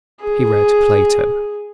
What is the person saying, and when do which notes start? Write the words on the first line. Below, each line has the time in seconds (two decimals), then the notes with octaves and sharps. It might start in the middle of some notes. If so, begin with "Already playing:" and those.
He read Plato.
0.21 G#4